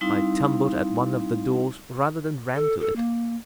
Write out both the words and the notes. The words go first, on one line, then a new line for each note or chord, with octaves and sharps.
I tumbled at one of the doors rather than ran to it.
G3 C4 D#4 E4 F5 C6
A4
A4
A#3